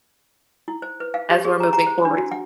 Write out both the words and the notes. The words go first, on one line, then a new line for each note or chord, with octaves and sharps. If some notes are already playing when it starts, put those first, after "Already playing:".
as we're moving forward.
E4
C5
B4
F5
G4
G#4
A#5
A#5
C5
D4
F#4
F#5